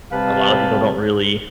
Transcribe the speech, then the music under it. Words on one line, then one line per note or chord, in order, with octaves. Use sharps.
a lotta people don't really,
C3 G3 B4 F5 A5